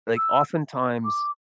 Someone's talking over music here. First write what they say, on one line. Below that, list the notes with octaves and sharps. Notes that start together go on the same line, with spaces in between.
like, oftentimes,
E6
D6